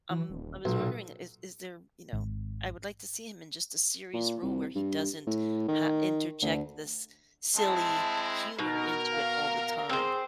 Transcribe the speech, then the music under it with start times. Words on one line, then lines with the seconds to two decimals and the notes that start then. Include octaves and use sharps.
Um, I was wondering, is is there you know, I would like to see him in just a serious role where he doesn't ha interject this silly humor into it all the time,
0.10 E3
0.30 D#1
0.65 B1 A#2
2.13 G#1
4.13 A#2
4.42 C2
4.75 G2
5.27 A2
5.68 D#3
6.42 D2
7.57 G#3 C4 E4 A5
8.59 B2 D#4 A#4
9.12 F5
9.89 C4 G#4 C5